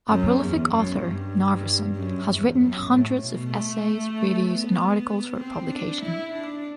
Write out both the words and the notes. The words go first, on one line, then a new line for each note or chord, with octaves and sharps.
A prolific author, Narveson has written hundreds of essays, reviews and articles for publication.
F#2
E2
F#2
G2
F#2
E2
F#2
A2
B2
A3
B3
C4
D4
E4
D4